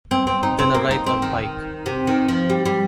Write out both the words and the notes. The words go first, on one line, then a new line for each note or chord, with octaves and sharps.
Then a right on Pike.
C4
C4
D#4
C4
A#3
D#4
C4
D#3
C3
D#3
F3
G3
G3